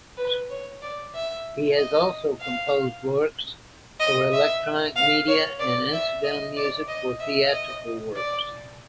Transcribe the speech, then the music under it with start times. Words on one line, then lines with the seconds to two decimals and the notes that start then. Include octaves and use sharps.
He has also composed works for electronic media and incidental music for theatrical works.
0.17 B4
0.50 C#5
0.82 D5
1.14 E5
1.77 D#5
2.41 F5
4.00 D#5
4.33 E5
4.96 F5
5.28 C#5
5.60 D5
5.93 E5
6.24 D#5
6.57 D5
6.88 D#5
7.20 E5
7.52 D#5
8.16 D5